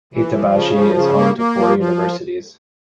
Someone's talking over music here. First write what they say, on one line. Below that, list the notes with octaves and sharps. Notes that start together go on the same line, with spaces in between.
Itabashi is home to four universities.
E3
F3
C#3
F3
C#3
A#3
A#3
F3
F3